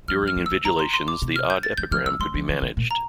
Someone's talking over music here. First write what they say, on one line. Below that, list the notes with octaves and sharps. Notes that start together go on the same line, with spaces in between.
During invigilations the odd epigram could be managed.
F3 F6
F3
F6
F3
E6
D3
D3 A#5
C6
C6
D6
C3
F6
G6
A6
E3 G6
F3 F6
F3 E6
G3 C6
F3
E3
D3
A#2
A#5